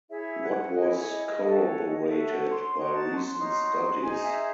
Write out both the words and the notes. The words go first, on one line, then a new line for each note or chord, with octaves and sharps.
What was corroborated by recent studies.
E4 G#4 C#5 E5
F#5
E4 G#4 C#5 D#5
C#5
D#5
D#5
F#4 A4 C#5 D#5
C#5
D#5
F#4 A4 C#5 E5
F#5
C6
D#4 F#4 C#5 C6
A5
C6
D#4 F#4 C#5 C6
D#4 G#4 C5 G#5
E5